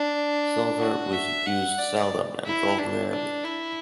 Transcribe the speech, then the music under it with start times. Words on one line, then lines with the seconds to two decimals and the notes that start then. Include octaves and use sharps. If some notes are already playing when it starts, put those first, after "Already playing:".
Silver was used seldom and gold rarely.
Already playing: D4
0.80 F#4
1.13 E5
1.46 F#5
1.78 D5
2.45 E4
2.78 D4
3.10 D4
3.44 E4